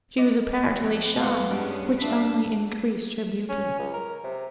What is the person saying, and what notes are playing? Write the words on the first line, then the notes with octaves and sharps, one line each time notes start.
She was apparently shy, which only increased her beauty.
D#5 C#6 D6
F2 G4 F#5
E2 G#3 F5 F#5
G2 B3 C#4 G#4
D4 F4 E5 B5
C#4
C#2
A#4
C3